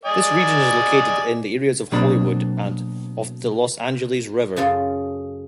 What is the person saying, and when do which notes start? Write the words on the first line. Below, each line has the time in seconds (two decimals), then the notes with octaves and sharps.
This region is located in the areas of Hollywood and of the Los Angeles River.
0.05 D5 D#5 G#5
1.92 B2 F#3 A#3 C4 D4 B5
4.56 F#2 C#3 F4 A4